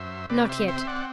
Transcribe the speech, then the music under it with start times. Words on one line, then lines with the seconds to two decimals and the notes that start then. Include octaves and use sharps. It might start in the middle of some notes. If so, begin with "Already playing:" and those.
"Not yet."
Already playing: F#2 C5 E5
0.30 C3 B4 D5
0.49 C5 E5
0.68 C4 C5 E5
0.81 E5
0.87 D5 F#5